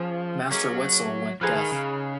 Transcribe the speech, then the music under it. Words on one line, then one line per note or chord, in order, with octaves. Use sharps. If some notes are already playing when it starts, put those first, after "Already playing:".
Master Wetzel went deaf.
Already playing: F3 C#4 F4 G#4 D#5
F#3 A#3 C#4 G#4 D#5
F3 D#4 G#4 B4 F5
F3
D#3
C#3